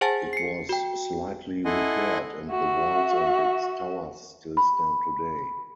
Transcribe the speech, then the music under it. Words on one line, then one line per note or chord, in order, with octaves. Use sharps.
It was slightly repaired and the walls and its towers still stand today.
G#4 C5 F#5 G#5 A5 A6
C7 C#7
F#4 G5
E4 A4 D#5 F#5 G#5 C6
F#4 E5
B5